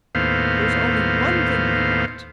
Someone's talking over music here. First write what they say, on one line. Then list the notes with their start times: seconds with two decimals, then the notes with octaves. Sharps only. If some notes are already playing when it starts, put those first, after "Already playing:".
"There's only one thing we want."
0.15 D#2 A2 B3 C5 F5